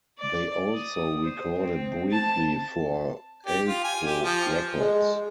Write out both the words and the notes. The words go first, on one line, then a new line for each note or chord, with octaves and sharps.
They also recorded briefly for Avco Records.
D5
D#6
C5
C4
A5
G4
F4
G#5
G4
F3
G#3